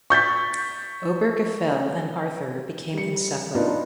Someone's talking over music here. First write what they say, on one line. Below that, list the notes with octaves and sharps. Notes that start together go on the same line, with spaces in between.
Obergefell and Arthur became inseparable.
C#6 G6 A6 B6
G3 C#7
B3 D4 D#4 F4 A#4